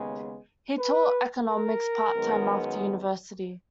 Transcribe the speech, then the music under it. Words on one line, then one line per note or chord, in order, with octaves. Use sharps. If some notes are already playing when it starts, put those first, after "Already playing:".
He taught economics part-time after university.
Already playing: D#2 C#3 G#3 B3
B4
A#4
F#2 D#3 G#3 B3